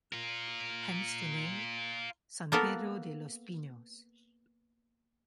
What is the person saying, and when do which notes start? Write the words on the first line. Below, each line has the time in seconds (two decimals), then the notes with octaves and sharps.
Hence the name San Pedro de los Pinos.
0.12 F4 A#4
2.52 A#3 B3 A4 A#4